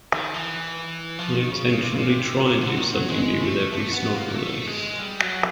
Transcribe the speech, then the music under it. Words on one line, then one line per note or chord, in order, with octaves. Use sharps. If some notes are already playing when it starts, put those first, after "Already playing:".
I intentionally try and do something new with every Snog release.
D#3
E3
F3
D#3
C#3
C#3
C3
C#3
C3
C3
D3
D#3
F#3
G#3
A3
A3
B3
A#3
A3
G#3
G3
F#3